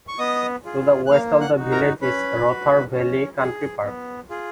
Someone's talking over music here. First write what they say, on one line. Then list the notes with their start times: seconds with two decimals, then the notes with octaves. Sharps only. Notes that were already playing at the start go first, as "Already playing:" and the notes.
To the west of the village is Rother Valley Country Park.
0.08 C#6
0.19 B3 D#5 D#6
0.65 F4 G#4
1.06 F#6
1.10 A#3 F5 F6
1.41 F#5 F#6
1.56 D#4 F#4
1.71 A#4 A#5
2.02 C#4 B4 B5
2.47 F#4
2.93 C#4
3.39 G#4
3.84 B3
4.30 F4 G#4